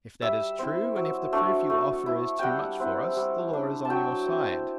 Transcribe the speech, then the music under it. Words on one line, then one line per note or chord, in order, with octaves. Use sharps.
If that is true, and if the proof you offer is too much for us, the law is on your side.
G3 E5
C4 E4
F#3
A3 D4
A3
E4
G3 F#5 G5
C4 E4
G3
D4
A5
F#3 G5
C4 E4